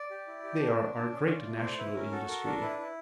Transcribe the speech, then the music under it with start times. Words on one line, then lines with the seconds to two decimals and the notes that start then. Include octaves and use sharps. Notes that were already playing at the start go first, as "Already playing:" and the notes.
"They are our great national industry."
Already playing: D5
0.11 G4
0.27 E4
0.44 G4
0.60 D4
0.77 D4
0.94 D4
1.11 C#4
1.28 F4
1.45 A3
1.61 E4 C5
1.78 E4 B4
1.95 C#4 A#4
2.12 F#4 A4
2.29 A4 A#4
2.45 D4 A#4
2.61 E4 B4
2.78 E4